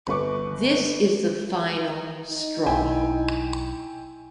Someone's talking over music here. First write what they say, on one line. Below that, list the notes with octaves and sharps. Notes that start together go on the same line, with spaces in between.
This is the final straw.
G1 B4 C#6 D6
D#4
B1 E4 G5 G#5